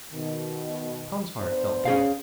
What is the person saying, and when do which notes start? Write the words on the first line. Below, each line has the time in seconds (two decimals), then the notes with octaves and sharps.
Tom's heart felt better.
0.12 B2 D#3
1.40 B3 D4 C5
1.85 C#4 G#4 F5